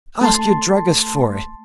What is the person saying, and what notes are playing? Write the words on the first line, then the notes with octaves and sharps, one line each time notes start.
Ask your druggist for it.
A3 A5 C6